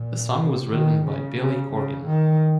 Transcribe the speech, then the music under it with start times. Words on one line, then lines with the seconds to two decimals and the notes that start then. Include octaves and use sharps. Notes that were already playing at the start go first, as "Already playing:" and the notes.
The song was written by Billy Corgan.
Already playing: A#2
0.38 C3
0.72 D#3
1.06 C#3
1.39 C#3
1.73 C#3
2.07 D#3